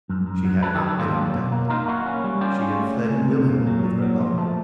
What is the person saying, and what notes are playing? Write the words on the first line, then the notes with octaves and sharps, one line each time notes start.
She had not been abducted--she had fled willingly with her lover.
F#2
F#2
F#3
F#3 A4 B4
G4 A4
D3
G4 A4
D#2 F4 G4
F#3
B2
A#3
A#3 D#4 F4
A#3 E4 F#4
C#4
G3
C#4 F4 G4
C#4
A3
C#2
C3
C3
A#2
F#3
A#2
F#3
F3
A3